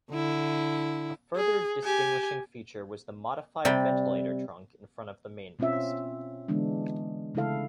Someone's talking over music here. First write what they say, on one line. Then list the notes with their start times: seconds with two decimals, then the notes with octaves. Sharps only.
A further distinguishing feature was the modified ventilator trunk in front of the mainmast.
0.11 D3 E4
1.36 G#4
1.84 G4 G#5
3.65 C3 G3 G5
5.59 B2 C4 C#4 F4 E5
6.48 D3 E3 G#3 B3 D4
7.35 C#3 G#3 A3 E4 A4 F5